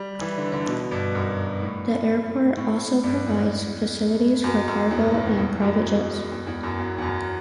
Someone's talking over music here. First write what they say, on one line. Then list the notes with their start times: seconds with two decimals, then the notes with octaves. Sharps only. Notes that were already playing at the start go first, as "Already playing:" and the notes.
The airport also provides facilities for cargo and private jets.
Already playing: G3
0.21 E3
0.37 D3
0.52 D3
0.67 B2
0.91 G2
1.15 F#2
1.61 A2
2.56 A2
3.03 G2
3.26 E2
4.44 F#2
4.68 F#2
4.91 E2
5.03 B2
5.14 A2
5.37 E2
5.61 F#2
6.32 E2
6.47 E2
6.63 F#2
6.79 E2
6.98 E2
7.02 F#2